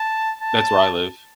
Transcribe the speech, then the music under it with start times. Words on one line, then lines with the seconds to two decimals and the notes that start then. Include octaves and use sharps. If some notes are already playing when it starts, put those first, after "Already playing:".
That's where I live,
Already playing: A5
0.41 A5